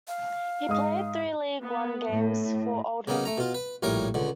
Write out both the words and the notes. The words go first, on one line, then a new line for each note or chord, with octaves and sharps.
He played three League One games for Oldham.
F5
G#2 D#5 D#6
B3
A2
C#3 A#3 B3 D#4
A3 A#5
B2 F4
B4
A#1 A2 G3 A#4 C#5
C#2 D3